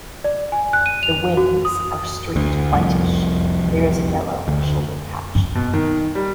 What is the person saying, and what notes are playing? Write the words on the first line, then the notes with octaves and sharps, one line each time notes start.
The wings are streaked whitish, and there is a yellow shoulder patch.
D5
G#5
F#6
D#7
F7
F#4
D#6
D2
C2 F2
D2
B2
D#3
G3